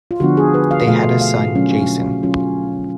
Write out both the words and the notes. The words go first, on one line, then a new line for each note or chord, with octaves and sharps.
They had a son, Jason.
F4
D3 F3 B3 D4 F#4
G#4
B4
F5
B2 A3 F4 F5
F5
F#3 C#4 F4
F#3 C#4 F4